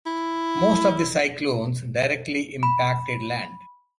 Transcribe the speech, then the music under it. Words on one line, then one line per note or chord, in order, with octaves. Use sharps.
Most of the cyclones directly impacted land.
E4
B5